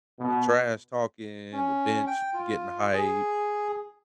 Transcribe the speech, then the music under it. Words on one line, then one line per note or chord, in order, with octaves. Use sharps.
the trash talking, the bench getting hype.
B2
C#4
G5
F4
G#4